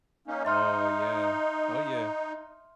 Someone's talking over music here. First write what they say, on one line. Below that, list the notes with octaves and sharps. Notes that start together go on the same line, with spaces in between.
Oh, yeah. Oh, yeah.
A#3 C#4 D#4
D#4 E5 C6 F6